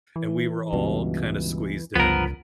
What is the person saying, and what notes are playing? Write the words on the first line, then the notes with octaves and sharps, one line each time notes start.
and we were all, kinda squeezed in,
E3
C#2 G2 B2
G1 C#2 F3 B3 A#4